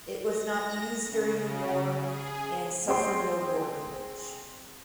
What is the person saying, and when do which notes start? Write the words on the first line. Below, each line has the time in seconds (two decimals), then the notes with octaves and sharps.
It was not used during the war and suffered no war damage.
0.21 A#6
1.03 C#3
1.95 G#4
2.88 C4 G#4 G5 C6